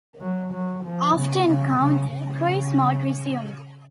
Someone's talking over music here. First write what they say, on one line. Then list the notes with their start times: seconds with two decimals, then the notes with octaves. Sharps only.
After encounter, cruise mode resumed.
0.21 F#3
0.53 F#3
0.84 F3
1.16 C#3
1.48 C#3
1.80 C#3
2.11 C#3